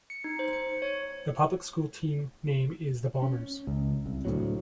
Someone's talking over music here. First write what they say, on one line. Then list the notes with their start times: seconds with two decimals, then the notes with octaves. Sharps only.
The public school team name is the Bombers.
0.10 C#7
0.24 D#4
0.39 C5
0.53 C#7
0.82 C#5
3.22 C#4
3.67 C#2
4.06 C2
4.25 D2 A2 F#3